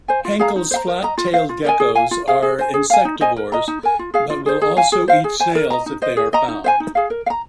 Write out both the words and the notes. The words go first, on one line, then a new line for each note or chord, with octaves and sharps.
Henkel's flat-tailed geckos are insectivores, but will also eat snails if they are found.
C5 G#5
F4
G#4 F5 A#5
D#4
C5 F5 A#5
A#4
D#5 A#5
F4
C5 F5
F4
A#4 D#5 G#5
G#4
F5 G#5
F4
G#4 F5
G#4
C5 G#5
G#4
F5 G#5
D#4
C5 D#5 G#5
A#4
D#5 A#5
D#4
A#4 G#5
F4
G#4 F5
F4
G#4 C5
G#4
F5 G#5
G#4
C5 F5
G#4
C5 G#5
A#4
D#5 A#5
D#4
C5 D#5
G#4
D#5 A#5
D#4
C5 F5 G#5
D#4
G#4 F5
A#4
F5
A#5